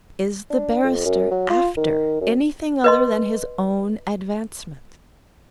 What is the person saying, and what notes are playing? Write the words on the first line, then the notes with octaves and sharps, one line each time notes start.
Is the barrister after anything other than his own advancement?
D4
F2
F#2
F#3
F4
D#3
F#2
B4 D#5 C6